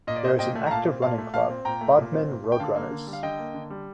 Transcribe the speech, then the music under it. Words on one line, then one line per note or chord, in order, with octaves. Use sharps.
There is an active running club: Bodmin RoadRunners.
A#2 D#5
D5
C4 C5 D#5
A#2 D#5 G5
A3
A#5
A#2 F5 A5
C4
A#2 F5 A5
A3
A#2 F5 A5
C4
A#2 G5 A#5
A3
A#2
C4
A#2
A3
G5
D3 F5 A5
A#3
D3
G3
F5
D3 D#5 G5
A#3
D3
G3